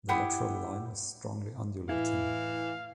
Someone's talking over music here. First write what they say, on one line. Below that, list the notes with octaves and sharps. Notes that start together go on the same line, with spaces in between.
The lateral line is strongly undulating.
E4 G4 F#5 D#6
A2 E3 E4 F5